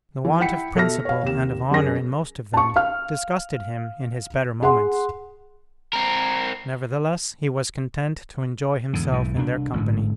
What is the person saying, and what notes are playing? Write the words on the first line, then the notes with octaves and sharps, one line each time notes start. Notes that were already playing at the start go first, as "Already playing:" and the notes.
The want of principle and of honour in most of them disgusted him in his better moments; nevertheless he was content to enjoy himself in their company.
E3
E4 F#5 G5 B6 C#7
B2 A4 E5 F6 A#6
C#5 F5
D#2 C3 E7
F#2 G#4 A#4 A#6
A5 C#6
F5 F6
G#4 F#5 C6
C4 A#4
E2 G#2 D3
B1 G#2 E3
C2 D4
A1 G#2 D3